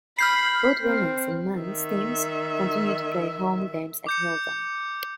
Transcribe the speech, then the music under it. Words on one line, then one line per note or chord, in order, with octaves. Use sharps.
Both women's and men's teams continue to play home games at Hilton.
B5 F6 G6 C7
C4
D#3 E5
D6 G6 C#7